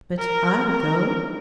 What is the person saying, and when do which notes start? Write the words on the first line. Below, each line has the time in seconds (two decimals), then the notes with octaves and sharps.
But I'll go.
0.19 A#4
0.70 A#4